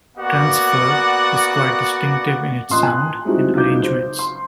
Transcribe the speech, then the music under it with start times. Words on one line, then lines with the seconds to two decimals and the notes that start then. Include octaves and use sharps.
"Trancefer" is quite distinctive in its sound and arrangements.
0.17 A#3 B3 F#4 D5 F#5
2.69 A1 A#2 D#5 C6 D#6 F#6
2.83 G#5 F#6
3.25 G3 G#3 C4 D#4 E4 F#4
3.55 C#2 F#3 D#4 D6 G6
3.82 C5
4.19 C6